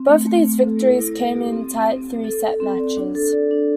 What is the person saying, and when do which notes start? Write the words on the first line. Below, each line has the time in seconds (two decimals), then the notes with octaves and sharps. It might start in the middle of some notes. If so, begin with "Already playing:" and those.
Both of these victories came in tight three-set matches.
Already playing: C4
0.09 A3
0.27 A3
0.44 A3
0.63 A4
0.81 E4
0.99 E4
1.17 E4
1.35 G4
1.52 C4
1.71 C4
1.89 C4
2.07 C4
2.24 A4
2.43 A4
2.60 C4
2.79 D5
2.97 D4
3.15 A4
3.33 D5
3.51 D4